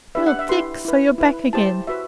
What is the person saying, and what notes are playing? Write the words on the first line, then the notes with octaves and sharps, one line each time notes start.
'Well, Dick, so you're back again.
D4 G4 B4 E5
F#5
E5
E4 G4 B4 C6
E4 B4
E4 B4
E4 G4 C5 A5
F#4 B4 E5